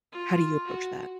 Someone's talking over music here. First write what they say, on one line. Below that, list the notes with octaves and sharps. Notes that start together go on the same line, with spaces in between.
how do you approach that?
F4
F#4